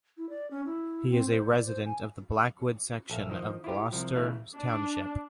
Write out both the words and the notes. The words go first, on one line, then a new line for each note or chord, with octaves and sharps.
He is a resident of the Blackwood section of Gloucester Township.
E4
D5
C#4
E4
C4
C5
D5
C5
G#5
A#1 A4 E5 F5
D#3 F3 D#5
E4 F4 G4
C2 F3
C#3 E3 A3 A#3
D4